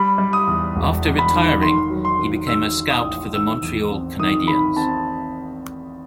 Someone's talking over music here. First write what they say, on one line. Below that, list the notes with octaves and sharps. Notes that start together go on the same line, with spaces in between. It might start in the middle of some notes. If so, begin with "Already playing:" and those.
After retiring, he became a scout for the Montreal Canadiens.
Already playing: G3 B5
G3
D#6
E2
E1
E2
B5
D#3
D#3 C6
F#3
C6
D#3
D#3 E6
D#3
D#6
A1
D#3 E6
E2
C4
D#3 D#6
D#3 B5
C4 A5